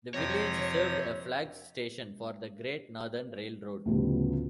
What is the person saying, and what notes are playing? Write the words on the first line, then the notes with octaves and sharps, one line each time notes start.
The village served a flag station for the Great Northern Railroad.
F2 C3 C#5 A#6
D2 A2 C#3 F3 G3 B3